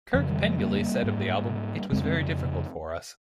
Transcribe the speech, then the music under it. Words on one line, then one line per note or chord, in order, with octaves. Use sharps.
Kirk Pengilly said of the album, It was very difficult for us.
F2 C#3 F3
D#3 G3
F3 G#3
G3 A#3
G#2
F2 C#3 G#3 C4
G#3 C4